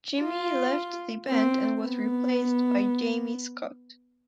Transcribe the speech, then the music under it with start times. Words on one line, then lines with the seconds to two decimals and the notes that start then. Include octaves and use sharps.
Jimi left the band and was replaced by Jamie Scott.
0.21 F4
1.28 C4
1.82 B3